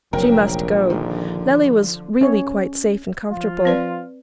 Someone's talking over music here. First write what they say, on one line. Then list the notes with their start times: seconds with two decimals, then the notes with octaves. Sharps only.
She must go. Nellie was really quite safe and comfortable.
0.13 F1 A#1 F#3 C#4 A#4 G5
0.90 D3 D#3 F3
2.21 C#4 C#5
3.31 F3 F4
3.65 C4 B4 D5